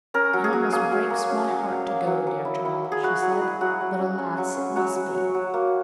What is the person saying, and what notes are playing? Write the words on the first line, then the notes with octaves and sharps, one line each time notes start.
'It almost breaks my heart to go, dear child,' she said, 'but, alas! it must be.'
C#4 A#4
F#3
G#4
F#3
A#3 G#4
F#3
A#3
C#4
F#3
F#3
A#3
F#3
F#3
E4
E4
F#3
G#4
E4 F#4
F#3
G#4
E4
F#3 F#4
F#3
C#4
C#4
F#3
C#4
F#3 F#4
F#3
F#3
F#3
A#3